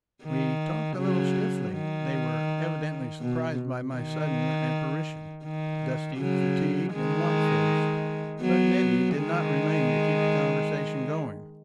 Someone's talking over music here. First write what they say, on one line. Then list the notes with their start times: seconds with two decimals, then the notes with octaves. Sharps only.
We talked a little stiffly--they were evidently surprised by my sudden apparition, dusty, fatigued, and white faced; but Nettie did not remain to keep the conversation going.
0.23 D#3
0.97 C#3 F#3
1.72 D#3
3.21 B2
3.95 D#3
5.44 D#3
6.18 C#3 F#3
6.93 D#3 G#3
8.41 F#3 B3
9.16 D#3 G#3